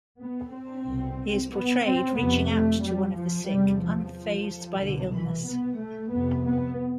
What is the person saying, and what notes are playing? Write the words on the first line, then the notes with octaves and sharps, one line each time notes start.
He is portrayed reaching out to one of the sick, unfazed by the illness.
B3
C4
C2 B2
B3
C4
F2 C3 B3
A3
G3
F3
E2 C3 G3
F3
C2 B2 D3
E3
B3
A3
F2 C3 B3
B3